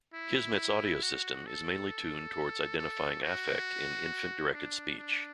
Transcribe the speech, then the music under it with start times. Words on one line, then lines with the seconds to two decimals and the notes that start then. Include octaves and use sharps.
Kismet's audio system is mainly tuned towards identifying affect in infant-directed speech.
0.14 E4
1.02 F#4
1.46 A4
2.78 A4
3.22 F#4
4.54 D4
4.98 D4